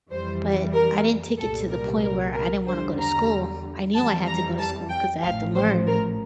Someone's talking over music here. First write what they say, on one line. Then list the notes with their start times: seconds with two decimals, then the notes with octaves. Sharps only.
but I didn't take it to the point where I didn't wanna go to school. I knew I had to go to school 'cause I had to learn.
0.10 F2 E3 G3 C5
0.74 A#4
1.38 C2 A#2 G3 A4
1.70 A#4
2.03 A#4
2.34 A#4
2.66 E2 D3 G3 C5
2.99 A#5
3.94 F2 E3 G3 A5
4.27 A#5
4.59 A5
4.90 G5
5.22 A1 A2 F3 F5
5.55 C5
5.87 A#4